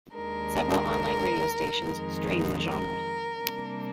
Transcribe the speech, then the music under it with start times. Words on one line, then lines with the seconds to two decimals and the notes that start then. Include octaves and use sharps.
Several online radio stations stream the genre.
0.15 D#2 D#3 G#3 D4 A#4
1.77 F2 D#3 G#3
2.58 A#4
3.40 C3 G3 A#3 D4